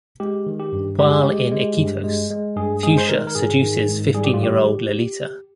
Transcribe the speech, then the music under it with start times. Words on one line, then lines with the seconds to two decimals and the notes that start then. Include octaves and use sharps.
While in Iquitos, Fushia seduces fifteen-year-old Lalita.
0.20 G#3 G4
0.47 D#3
0.60 G4
0.72 G2
0.99 G#3 G4
1.10 G#4
1.23 G#3 G4
1.51 G#3
1.78 G2
2.04 G#3
2.30 G#3
2.56 G2 G#4
2.83 G#3 G#4
2.98 C5
3.09 D#3 A#4
3.27 A#4
3.35 G#2 G#4
3.62 D#3
3.89 G#2
4.15 G3 G#4
4.24 G4
4.34 F4
4.41 D#3 G4